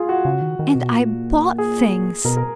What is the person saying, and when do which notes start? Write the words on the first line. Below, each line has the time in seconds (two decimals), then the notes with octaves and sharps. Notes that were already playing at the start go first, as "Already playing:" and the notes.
And I bought things!
Already playing: F4 G#4
0.09 F#4
0.25 C#3
0.41 D#3
0.59 D#3
0.75 B2
0.91 A#2
1.58 G#4
2.25 B2 A#4
2.37 A#4